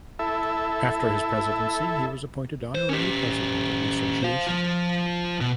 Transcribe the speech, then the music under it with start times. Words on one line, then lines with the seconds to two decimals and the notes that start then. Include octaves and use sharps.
After his presidency he was appointed Honorary President of the Association.
0.19 E4 A4 E5
2.75 C5
2.89 C#4 G4
4.23 C5 F5
4.47 F3 F4
5.41 B2